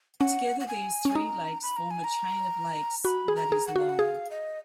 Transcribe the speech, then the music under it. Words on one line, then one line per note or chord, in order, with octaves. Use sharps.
Together these three lakes form a chain of lakes that is long.
C#4 F#5
F#5
G#5
C#4 G#5
D#4 A#5
B5
A#5
G#5
A#5
F#4 B5
G#4
A#5
G#4
F#5
F#4 F5
F#5
G#4 F5
D#5